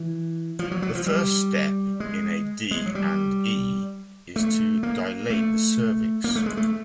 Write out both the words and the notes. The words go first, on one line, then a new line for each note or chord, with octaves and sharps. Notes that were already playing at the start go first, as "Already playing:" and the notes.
The first step in a D and E is to dilate the cervix.
Already playing: E3
F3
F#3
F#3
F3
G3
G#3
G#3
F#3
G3
A3
A#3
A3
A#3
A3
G#3
A3